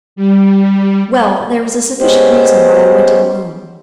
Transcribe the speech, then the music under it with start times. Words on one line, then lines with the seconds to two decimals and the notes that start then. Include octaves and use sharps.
"Well, there was a sufficient reason why I went in alone."
0.16 G3
1.99 G#3 B3 C#4 G4 C5